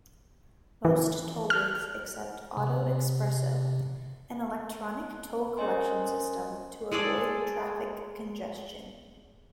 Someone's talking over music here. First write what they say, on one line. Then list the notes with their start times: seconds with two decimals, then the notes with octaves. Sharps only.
Most tollbooths accept "AutoExpreso", an electronic toll collection system, to avoid traffic congestion.
0.85 E3
1.50 F6
2.57 C3
5.57 C#4 A#4 C5 D#5 G#5 C6
6.92 G#3 G#4 A4 D5